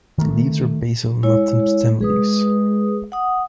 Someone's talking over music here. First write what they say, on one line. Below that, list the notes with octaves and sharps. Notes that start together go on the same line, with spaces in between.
The leaves are basal and often stem leaves.
D#3 A3
G#3 E4 C#5
G#3 G#4 B4 D#6
F#5 D#6